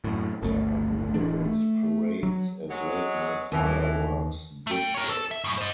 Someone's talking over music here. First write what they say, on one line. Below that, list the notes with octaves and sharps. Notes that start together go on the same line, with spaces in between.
There are numerous parades and late night fireworks displays.
F#2 A2
G1 C#2 A3
D1 F2 E3 D4
A3
F#3
F#3 G#3
D#2 A2 E3
A3 G5
A#4 C#5
A4
E5
F#2 A2
C5 D#5